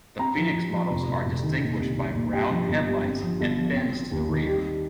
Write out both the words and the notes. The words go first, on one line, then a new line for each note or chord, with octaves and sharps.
The Phoenix models are distinguished by round headlights and fins to the rear.
C4 A#5
F3
F3
F3
F1
F1
F1
D#3
A#2
C2
C2
A#2
G2 G5
F3
G1
G2
C4
F3
G1
F3
C4
C4
D#2
D#3
G3